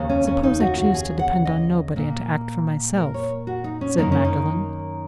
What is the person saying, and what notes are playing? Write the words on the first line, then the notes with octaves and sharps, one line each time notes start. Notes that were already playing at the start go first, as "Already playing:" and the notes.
"Suppose I choose to depend on nobody, and to act for myself?" said Magdalen.
Already playing: D#2 C#3 A#3
C#4
C#4
D#4
F#4
F#4
G#4
F#5
D#5
A#2 A#3
A#4
C#5
F#4
D#4
C#4
F#2 D#3 A#3 D#4
C#4
D#4